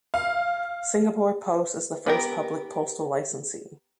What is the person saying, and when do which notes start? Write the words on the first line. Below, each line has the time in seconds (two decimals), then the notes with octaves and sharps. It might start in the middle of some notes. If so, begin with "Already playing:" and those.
Singapore Post is the first Public Postal Licensee.
0.14 F5
2.06 B3 G4 A#4